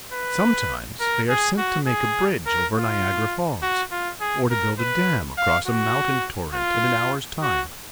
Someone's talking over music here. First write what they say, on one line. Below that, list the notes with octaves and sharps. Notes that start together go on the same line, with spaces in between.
Sometimes they are sent to make a bridge over Niagara Falls, or to build a dam across a mountain torrent in an hour's time.
B4
A#4
G#4
F#4
G#4
A#4
F4
F#4
F4
G#4
A#4
B4
F5
F#4
F4
F#4